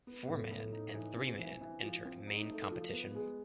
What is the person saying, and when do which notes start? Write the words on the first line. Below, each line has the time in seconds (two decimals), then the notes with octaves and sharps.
Four man and three man entered main competition.
0.07 B3
0.28 A2
0.51 A2
0.72 D#4
0.95 E3
1.17 C4
1.39 E3
1.61 E3
1.83 F3
2.05 C4
2.27 D#4
2.50 A3
2.71 F3
2.93 B3
3.15 G#3